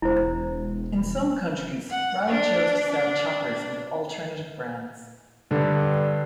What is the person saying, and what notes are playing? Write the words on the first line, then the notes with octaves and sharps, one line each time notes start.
In some countries Raleigh chose to sell Choppers with alternative brands.
E1 E4 C5
F#5
D4
D4
G2 D3